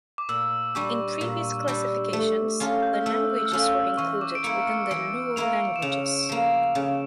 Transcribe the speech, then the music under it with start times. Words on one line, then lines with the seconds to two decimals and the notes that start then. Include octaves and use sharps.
In previous classifications, the languages were included within the Luo languages.
0.18 D6
0.29 A#2 E6
0.75 G3 D4 G4 C#6
1.21 A#2
1.68 G3 D4 G4
2.13 A3
2.60 C#4 F4 A4
2.83 G6
2.94 F6
3.06 A3 E6
3.37 E6
3.45 F6
3.51 C#4 F4 A4 E6
3.98 E3 C#6
4.21 D6
4.35 D7
4.44 A#3 E4 A#4 C#7
4.67 C#7
4.91 E3 D7
5.36 A#3 E4 A#4 F7
5.76 E7
5.82 C#3 F7
6.29 F3 A#3
6.75 C#3